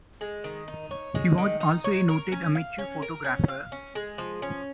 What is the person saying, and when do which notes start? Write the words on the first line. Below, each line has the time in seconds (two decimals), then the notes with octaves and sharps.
He was also a noted amateur photographer.
0.21 G#3
0.44 D#3
0.68 D#4
0.91 C#5
1.15 G#3
1.38 D#3
1.60 D#4
1.84 C#5
2.09 A#4
2.32 C#4
2.55 F5
2.79 C#4
3.02 A#4
3.24 C#4
3.48 F5
3.72 C#4
3.95 G#3
4.18 F3
4.42 C#4